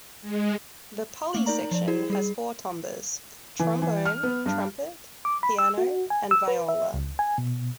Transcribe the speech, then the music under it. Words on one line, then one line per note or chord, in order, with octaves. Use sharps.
The "poli" section has four timbres: Trombone, Trumpet, Piano, and Viola.
G#3
A3 A#3 F#7
D#4 A#4 D5 A#5
F3 D5
E4 G#4 C5
G3 G#4
E3
E3
F6
B3
G2
D6
B5
E6
F#4
G#5
E6
B4
E5
C#2
G#5
B2